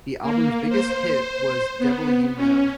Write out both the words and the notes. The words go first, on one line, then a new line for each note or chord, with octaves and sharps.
The album's biggest hit was 'Devil You Know.
A#3
C5
B3
C#4